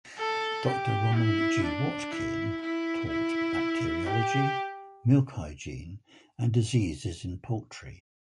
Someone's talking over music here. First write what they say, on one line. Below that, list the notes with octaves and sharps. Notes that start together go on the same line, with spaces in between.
Doctor Ronald G. Watkin taught bacteriology, milk hygiene, and diseases in poultry.
A4
G4
E4
D4
E4
E4
E4
G4